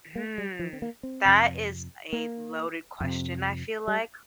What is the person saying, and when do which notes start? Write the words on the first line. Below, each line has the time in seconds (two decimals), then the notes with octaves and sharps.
Hmm, that is a loaded question, I feel like.
0.15 A#3
0.38 G3
0.59 F3
0.73 C4
0.82 A#3
1.03 C4
1.25 F2 C3
2.13 A#3
3.00 F2 C3
3.88 G3